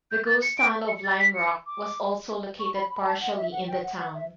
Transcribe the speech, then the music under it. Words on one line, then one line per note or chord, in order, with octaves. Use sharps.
The ghost town of Lime Rock was also located partially in the town.
G6
A6
C#7
D7
C#7
A6
B6
C#7
D6
C#6
B5
B5
A5
F#5
E5
F#5
G5
F#5
F#5
E5